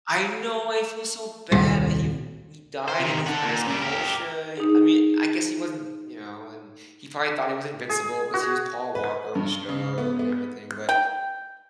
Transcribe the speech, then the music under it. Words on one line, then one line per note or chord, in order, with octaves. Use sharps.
I know, I feel so bad that he v He died in his nice Porsche, he I mean, I guess he wasn't you know, and he probably thought he was invincible 'cause he was Paul Walker on the show and everything, but
D#1 C2 A2
C5
C3 D#3
A4 F#5
A#2
C#3 G3
G4 A#4
D#4 G#4
G#4
F#4
B4
G2
C#3
B3
B3
G5